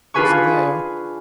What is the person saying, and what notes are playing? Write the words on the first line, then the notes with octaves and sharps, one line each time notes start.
So there.
D4 F4 G#4 B4 G#5 C#6